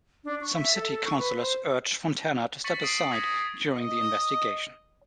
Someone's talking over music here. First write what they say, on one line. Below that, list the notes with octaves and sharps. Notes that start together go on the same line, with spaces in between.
Some city councillors urged Fontana to step aside during the investigation.
D4
C#6
E5
A4
A4
C#6
B4
C5
C#6 A6 B6 C#7 D#7 F#7
D#6 C7 D7 D#7 F#7
D#6 G#6 A#6 B6
D#5